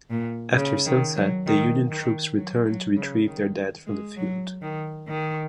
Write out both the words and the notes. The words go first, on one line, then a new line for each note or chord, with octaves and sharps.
After sunset the Union troops returned to retrieve their dead from the field.
A#2
C#3
D#3
F#3
D#3
D#3
F#3
F#3
C#3
D#3
G#3
F#3
D#3
D#3